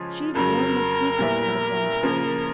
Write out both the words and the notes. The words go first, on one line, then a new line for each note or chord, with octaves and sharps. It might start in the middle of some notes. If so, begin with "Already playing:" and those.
She'd worm a secret out of one's grave.'
Already playing: C#3 F3 G#3 C#4 F4
F2 C#3 F#3 A#4
A#2 G3 B3 E4
C#3 F3 A#3